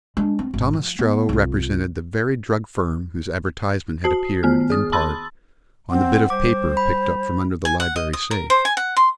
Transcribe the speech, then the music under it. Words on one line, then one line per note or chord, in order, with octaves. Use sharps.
Tom Ostrello represented the very drug firm whose advertisement had appeared, in part, on the bit of paper picked up from under the library safe.
G#3 D4
C4
G#1
F3
B3
C2 F4
F#4 A5 C7
D#3 B3 F6
G#4 D#6
A5 B5 C6 E6 A6
C4 F#5
G3 C5 D6
B5
G#5
F#5
D#5
D#6
A#4
C5
G#5
F#5
C6